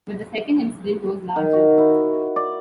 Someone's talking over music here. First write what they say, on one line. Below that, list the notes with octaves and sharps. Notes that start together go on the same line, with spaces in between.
But the second incident was larger.
D#3
F#4
E4
D5